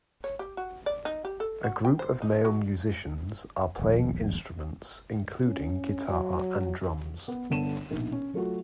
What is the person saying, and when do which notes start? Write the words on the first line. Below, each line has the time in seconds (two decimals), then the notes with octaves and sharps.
A group of male musicians are playing instruments including guitar and drums.
0.24 C#5
0.39 G4
0.57 F#4
0.86 D5
1.05 D#4
1.25 G4
1.40 A4
1.64 F#4
1.85 G5
1.99 C5
2.22 D#4
2.45 F#3
3.79 D#1 A#1
5.46 C#4
6.09 F#3
7.28 B3
7.50 G1 D3 B3 A5 D#7 E7
7.91 A#1 B2 D#4
8.12 C#4
8.34 F#3 A3 F4 F#4